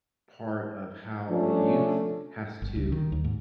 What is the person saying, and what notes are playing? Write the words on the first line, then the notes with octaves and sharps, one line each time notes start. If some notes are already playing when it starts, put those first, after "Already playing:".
part of how the youth has to,
F3 A3 C#4 D4
G1
C#2
D#3
D#2
G#2